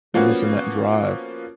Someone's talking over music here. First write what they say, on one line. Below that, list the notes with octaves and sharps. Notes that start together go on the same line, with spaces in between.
They're missing that drive,
F3 A#3 B3 C#4 F#4